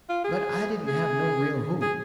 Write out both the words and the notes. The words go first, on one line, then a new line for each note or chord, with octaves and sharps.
But I didn't have no real hope.
F4
G#4
G#4
G#4